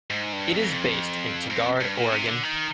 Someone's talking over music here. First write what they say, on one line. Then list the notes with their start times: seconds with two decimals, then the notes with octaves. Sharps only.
It is based in Tigard, Oregon.
0.10 G#2
0.33 G2
0.56 F2
1.50 F2
1.81 G2
1.96 A#2
2.12 C3
2.28 D3
2.43 D#3